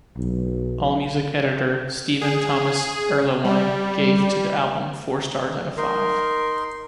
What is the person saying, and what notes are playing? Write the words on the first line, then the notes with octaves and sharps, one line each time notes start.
Allmusic editor Stephen Thomas Erlewine gave to the album four stars out of five.
B1
G#4
G3
D#4 A#4 C6